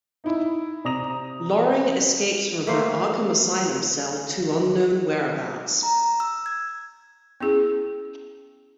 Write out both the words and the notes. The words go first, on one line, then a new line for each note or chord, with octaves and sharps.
Loring escapes from her Arkham Asylum cell to unknown whereabouts.
D#4 E4
C3 D5 A#5 D#6 A#6 F7
A3 A#3 C5
A#5
E6
G#6
B3 C#4 E4 G#4